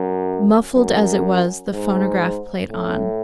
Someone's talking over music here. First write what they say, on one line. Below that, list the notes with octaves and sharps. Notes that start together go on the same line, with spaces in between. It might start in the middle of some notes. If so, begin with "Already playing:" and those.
Muffled as it was, the phonograph played on.
Already playing: F#2
F#2
G#2
A2